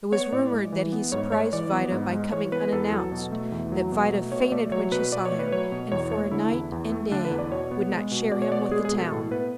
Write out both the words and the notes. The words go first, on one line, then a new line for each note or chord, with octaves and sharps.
It was rumored that he surprised Vida by coming unannounced, that Vida fainted when she saw him, and for a night and day would not share him with the town.
B3 C#5
A2 D5
G#3
E3
B3
G#2 C#5
G#3 C#5
E3 D5
B3
G#2
G#3
E3 C#5
B3 B4
B4
E2 A4
F#3
B2
A3
E2
F#3
B2
A3
B2 C#5
A3 D5
F#3 C#5
B2 B4
B2 D5
C#5
A3
B4
F#3 C#5
B2
E2 C#5
A3 C#5
D3 E4
E2
E2
A3
D3 D4
B4
E2
D5
B2 C#5
B3
G#3
B2
B2 D5
C#5
B3 D5
C#5
G#3 G#4
G#4
B2
A4
A2
B3 B4